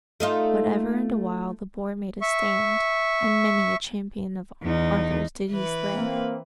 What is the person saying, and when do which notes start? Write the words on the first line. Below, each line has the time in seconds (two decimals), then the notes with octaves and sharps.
But ever and awhile the boar made a stand, and many a champion of Arthur's did he slay.
0.20 A3 D#4 F4
2.22 E5 C#6
4.62 E2 D#4
5.51 E3 B4
5.95 A#3 C4